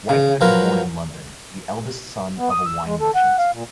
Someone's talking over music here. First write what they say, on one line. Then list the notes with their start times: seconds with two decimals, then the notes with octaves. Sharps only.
Whitehead was born in London, the eldest son of a wine merchant.
0.09 C#3
0.41 F3 F#3 F4 A#4 B4
2.38 B3
2.50 D#6
2.66 E6
2.86 G#3
3.00 A4
3.15 F#5
3.38 F5
3.53 A#2